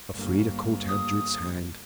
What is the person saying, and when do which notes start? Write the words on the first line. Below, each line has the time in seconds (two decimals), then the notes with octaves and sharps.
Elfrida caught Edred's hand.
0.14 G1 A#3
0.88 D#6